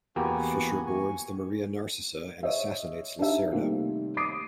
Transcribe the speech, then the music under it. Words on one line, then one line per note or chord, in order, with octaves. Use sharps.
Fisher boards the "Maria Narcissa" and assassinates Lacerda.
E2 A#3 B3 F#4 G4 G#5
G#5 C#6
C#5 D#5 E5
D4 D#4 G4 E5
C3 D#3 G3 A3 A#3 C4
D6 D#6 C7 D7 D#7